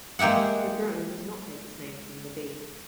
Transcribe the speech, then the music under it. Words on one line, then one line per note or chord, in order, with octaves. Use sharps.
The drone does not take its name from the bee.
G#3 A#3 G4 E5 F#5